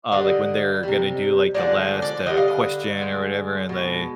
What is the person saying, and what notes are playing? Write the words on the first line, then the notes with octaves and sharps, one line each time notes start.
Uh, like, when they're gonna do, like, the last, uh, question or whatever, and they,
D3 G3 D#5
C3 G3
D3 F3 G#3 D5
D5
D3 G3 D#5
F5
D#5
D3 G#3
B2 G#3